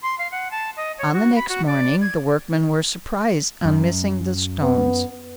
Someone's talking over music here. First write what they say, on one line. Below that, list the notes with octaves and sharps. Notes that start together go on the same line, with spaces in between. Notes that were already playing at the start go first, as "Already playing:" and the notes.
On the next morning, the workmen were surprised on missing the stones.
C6
F5
F#5
A5
D#5
C#5
F#4
B5
F#4
D5
G#6
F#2
B3